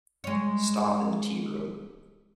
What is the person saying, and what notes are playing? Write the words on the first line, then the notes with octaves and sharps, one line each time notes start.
Stop in the tea-room.
G#3 C#5